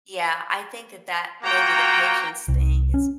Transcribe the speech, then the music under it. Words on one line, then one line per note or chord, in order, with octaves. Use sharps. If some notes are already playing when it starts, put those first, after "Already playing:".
Yeah, I think that that maybe the patience thing is
A#3 F4 F#4 G5 A#5
C2
C#4